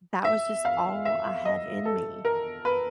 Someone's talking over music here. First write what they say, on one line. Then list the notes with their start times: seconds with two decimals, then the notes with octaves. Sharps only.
that was just all I had in me,
0.25 E5
0.65 F5
1.05 E5
1.45 D#5
1.85 A4
2.25 A#4
2.65 B4